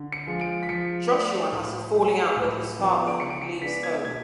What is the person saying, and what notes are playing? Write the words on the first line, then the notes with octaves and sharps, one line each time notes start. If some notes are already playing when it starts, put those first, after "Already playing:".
Joshua has a falling out with his father and leaves home.
Already playing: D3
C#7
F3 G#3
D7
B6
F3 C#7
A3 D4
A2
F#3 A3
A2
F3 B3 D4
D7
C#3 C#7
D7
C#7
G#3 B3 D4 B6
G#6
B2 G#6